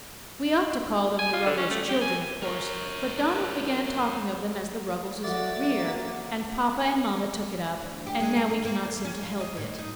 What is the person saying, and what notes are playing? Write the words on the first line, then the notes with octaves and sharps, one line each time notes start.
We ought to call them the Ruggles children, of course; but Donald began talking of them as the 'Ruggleses in the rear,' and Papa and Mama took it up, and now we cannot seem to help it.
G#5
F4
D3
C#4
A3
G4
G#5
A#4 C#5
F#4 A4 D5 E5
A#3 F#4
D2
G4
G#3
G#4
F4
A#3
E2
C#4
F4
D#5
A2
D#4